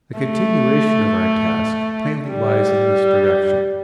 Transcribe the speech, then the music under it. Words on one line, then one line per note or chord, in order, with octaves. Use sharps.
The continuation of our task plainly lies in this direction.
A3
G3